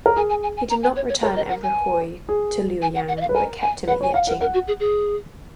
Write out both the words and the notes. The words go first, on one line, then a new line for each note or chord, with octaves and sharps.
He did not return Emperor Hui to Luoyang, but kept him at Yecheng.
A#4
G#4 G#5
G#5
G#5
G#5
A#5
G#5
C#5
C#5
A#4 C#5
D#5
F#5
G#5
G#4
G#5
F#5
F#5
D#5
F5
B4
A#4 G#5
G#5
B4 F#5
C#5 G#5
F5 F#5
A#4 F#5
A#4 F#5
F#4
G#4
G#4